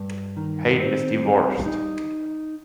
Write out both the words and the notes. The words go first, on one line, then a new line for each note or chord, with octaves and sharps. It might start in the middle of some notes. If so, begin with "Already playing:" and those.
Hayden is divorced.
Already playing: G2
D#3
C4
G3
D#4